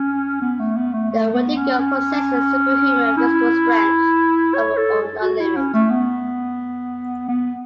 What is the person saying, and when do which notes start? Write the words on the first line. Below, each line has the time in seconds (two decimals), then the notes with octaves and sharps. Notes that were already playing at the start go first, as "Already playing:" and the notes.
The Wendigo possesses superhuman physical strength of an unknown limit.
Already playing: C#4
0.42 B3
0.60 A3
0.77 B3
0.93 A3
1.11 A3
1.33 B3
1.56 C#4
1.79 C#4
3.17 E4
4.54 C#5
4.77 A4
5.22 F#4
5.40 E4
5.56 C#4
5.74 A3
5.90 B3
7.29 B3